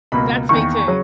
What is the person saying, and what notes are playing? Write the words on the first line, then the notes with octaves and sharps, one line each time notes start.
That's me too.
C#2 B2 A#3 B5
E2 D#3 A#3 C#6
C#3 F#3